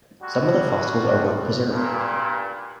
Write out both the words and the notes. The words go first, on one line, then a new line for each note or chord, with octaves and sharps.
Some of the fossils are well-preserved.
D3 F#3 G3 F4 F#4
G2 A#2